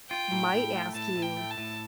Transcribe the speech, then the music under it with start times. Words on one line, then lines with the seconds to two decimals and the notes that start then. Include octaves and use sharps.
might ask you
0.10 F4 G5
0.31 A2
0.53 A2
0.73 A3
0.94 A2 A5
1.16 A2
1.23 G5
1.37 A3
1.50 A5
1.58 A2